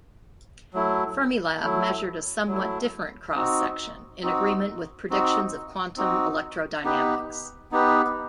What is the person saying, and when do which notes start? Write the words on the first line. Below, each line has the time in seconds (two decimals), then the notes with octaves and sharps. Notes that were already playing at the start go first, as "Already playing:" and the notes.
Fermilab measured a somewhat different cross section, in agreement with predictions of quantum electrodynamics.
0.74 F#3 A3 E4
1.61 F#3 A3 E4
2.48 F#3 A3 E4
3.35 C4 D#4 F#4
4.22 C4 D#4 F#4
5.10 C4 D#4 F#4
5.97 C4 D#4 F#4
6.84 B3 D#4 G4 B4
7.72 B3 D#4 G4 B4